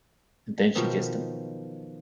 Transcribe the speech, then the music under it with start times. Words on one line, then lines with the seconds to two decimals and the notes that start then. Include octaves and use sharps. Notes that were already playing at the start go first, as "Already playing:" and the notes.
And then she kissed him.
0.75 B2 D#3 F3 F#3